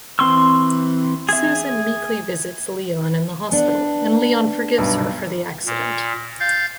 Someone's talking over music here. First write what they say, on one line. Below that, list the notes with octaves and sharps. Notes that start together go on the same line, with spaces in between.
Susan meekly visits Leon in the hospital and Leon forgives her for the accident.
E3 C4 C6 C#6 E6
G#4 E5
B3 D4
B1 G2
A#2
F5 G6 A6